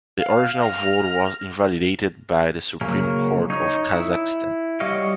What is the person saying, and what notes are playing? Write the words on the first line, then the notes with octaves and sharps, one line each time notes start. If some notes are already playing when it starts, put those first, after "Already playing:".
The original vote was invalidated by the Supreme Court of Kazakhstan.
F5
F6 A#6
C#3 F#3 A#3 C#4 A#4
D#4 C#5
E4
G3 F#4 C#5 D#5 F5